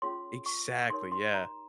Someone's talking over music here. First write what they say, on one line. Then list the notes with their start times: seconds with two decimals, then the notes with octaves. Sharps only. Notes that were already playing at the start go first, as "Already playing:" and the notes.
Exactly, yeah.
0.02 C#4 F4 G#4 C#5 C6
0.46 C#6
0.90 D#4 G4 A#4 C#5 C6
1.12 C6
1.34 A#5